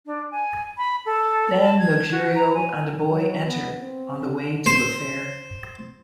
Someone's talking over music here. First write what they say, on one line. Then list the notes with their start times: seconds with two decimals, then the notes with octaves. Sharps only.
Then Luxurio and a boy enter, on the way to a fair.
0.06 D4
0.31 G#5
0.77 B5
1.05 A4
1.60 A5
1.79 G#6
2.11 F#4
2.35 A#5
2.54 G#5
3.09 F#3
3.46 B3
3.81 C4
4.21 D3
4.66 C5